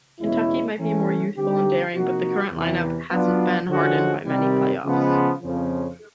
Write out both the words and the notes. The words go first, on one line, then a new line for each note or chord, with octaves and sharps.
Kentucky might be more youthful and daring, but the current line-up hasn’t been hardened by many play-offs.
E2 B2 G#3 C#4 E4
E3 A3 C#4
D3 G3 C4 D#4 G4
C3 F3 A#3 D#4 F#4
E2 C3 E3
F#3 B3 D4 F4
D3 F3 G#3 C#4 F#4
C3 D#3 G3
C#3 F3 G#3 B3
F2 C#3 F3